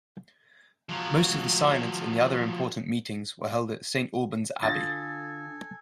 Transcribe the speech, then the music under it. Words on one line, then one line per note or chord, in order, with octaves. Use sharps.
Most of the synods and other important meetings were held at Saint Alban's Abbey.
F3 F#3
D3 F4 A4 G#5 D#6 A6 A#6